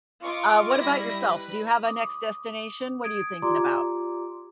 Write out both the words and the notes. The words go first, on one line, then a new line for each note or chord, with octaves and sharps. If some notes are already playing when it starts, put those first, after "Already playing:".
Uh, what about yourself? Do you have a next destination? What are you thinking about?
F4 D#5 C#6 D6
G3 E4 B5 A#6
B4
D6 D#6
D#6 G#6 D7
F4 G4 D5 A#5 C6 D6